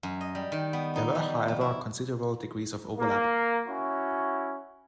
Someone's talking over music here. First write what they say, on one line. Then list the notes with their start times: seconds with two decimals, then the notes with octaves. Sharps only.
There were however considerable degrees of overlap.
0.03 F#2
0.21 D#5
0.35 G3
0.52 D#3
0.73 B3
0.96 D#4
1.15 G3
1.48 F3
1.61 E4
2.97 A#3
3.68 C#4 E4 F#4